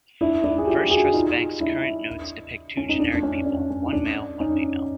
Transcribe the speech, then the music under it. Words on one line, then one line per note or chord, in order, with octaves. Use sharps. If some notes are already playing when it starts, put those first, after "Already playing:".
First Trust Bank's current notes depict two generic people, one male, one female.
D4 E4
D4 E4
G#4
F4 G4
F#4 G#4
D#4 F4
D4 E4
C#4
D#4
D4
D4
C#4
D4
C#4
D#4
D4
C#4 D#4